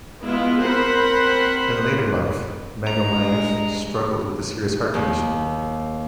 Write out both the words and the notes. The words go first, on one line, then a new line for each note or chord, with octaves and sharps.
In later life, Magomayev struggled with a serious heart condition.
G#3 B3 E4 F4
C4 A#4 C5 F#5 B5
G2 G#3 A#5
D#2